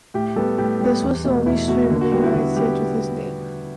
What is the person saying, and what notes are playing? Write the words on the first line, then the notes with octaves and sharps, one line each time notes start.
This is the only stream in the United States with this name.
A2 G4
G3 B3 A4
A2 G4
G3 B3
E2
B2 A3
E2 E4
B2 A3 F#4
D3
F#4
G3 B3 F#4
E4
D3 F#4
G3 B3 G4